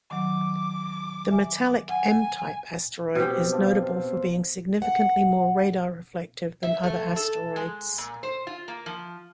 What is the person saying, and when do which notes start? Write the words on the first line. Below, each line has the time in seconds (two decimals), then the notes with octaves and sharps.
The metallic M-type asteroid is notable for being significantly more radar-reflective than other asteroids.
0.11 D#3 F#3 D6
1.31 E5 G#5
1.89 F#5 G#5
3.15 B2 B3 C4 G4
3.52 D4 F4
3.82 C5 F5
4.82 F#5
6.63 E5
6.83 A3
7.16 A4
7.56 G#3
7.98 A#2
8.23 C5
8.47 F4
8.68 A#3
8.86 F3